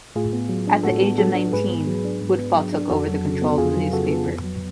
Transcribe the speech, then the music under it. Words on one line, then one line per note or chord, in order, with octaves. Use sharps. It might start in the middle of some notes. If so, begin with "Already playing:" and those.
At the age of nineteen, Woodfall took over the control of the newspaper.
A2 F4 G#4
B3
F#3
D4
A2 F#4 A4
B3
F#3 F#4 A4
D4
G#2 G#4 B4
B3
F#3
D4
G#2
B3
F#3
D4
F2 F#4 A4
F#3
C#3
B3
F2 F4 G#4
F#3
C#3 F#4 A4
B3
F2
F#3